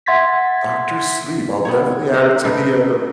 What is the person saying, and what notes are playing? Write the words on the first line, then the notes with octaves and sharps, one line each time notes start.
Doctor Sleep, I'll definitely add it to the, uh, the
E5 F#5 C6 G#6 A6 B6
B3 C4 C#5
C5 D#5
A3 D#4 A4 B4